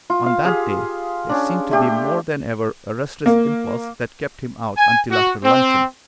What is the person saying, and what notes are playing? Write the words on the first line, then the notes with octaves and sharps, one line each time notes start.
On that day it seemed to be more than ever a resistless impulse that kept him out until after luncheon.
F4
F5
G4 G#4 F5 D#6
C#4 D4
A3 D4 G4
A#3
G#5
F#4
C4